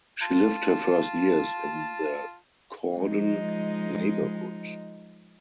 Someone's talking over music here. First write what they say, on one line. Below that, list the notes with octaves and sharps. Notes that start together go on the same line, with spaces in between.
She lived her first years in the Cordon neighbourhood.
F4 A5
F3 G#3 D#4